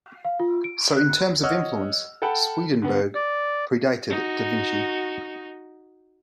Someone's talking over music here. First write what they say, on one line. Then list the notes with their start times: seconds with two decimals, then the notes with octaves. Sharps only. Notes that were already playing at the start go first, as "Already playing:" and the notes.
So, in terms of influence, Swedenborg predated da Vinci.
0.25 F5
0.40 F4
0.64 D7
0.97 F#6
1.43 C#5 D#5 F#5 E6 F6
2.22 A4 F#5 G5 A5 B5
2.82 D3 B3
3.15 D5
4.10 D#4 F#4